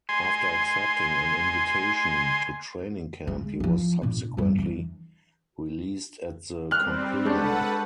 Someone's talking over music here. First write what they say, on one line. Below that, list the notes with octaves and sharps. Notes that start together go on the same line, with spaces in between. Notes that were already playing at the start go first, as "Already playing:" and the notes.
After accepting an invitation to training camp he was subsequently released at the conclusion.
G#5 C6
G#3
E3 F3
A#2 D4
F#2 G3
E3 D4
G3 C4 F6 F#6
G#3 D4 G4 A4 B4 C#5 F#5 A5